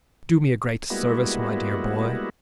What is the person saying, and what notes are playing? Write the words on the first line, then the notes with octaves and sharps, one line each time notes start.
Do me a great service, my dear boy.
G3 G#3 A#3 B3 E4 F#4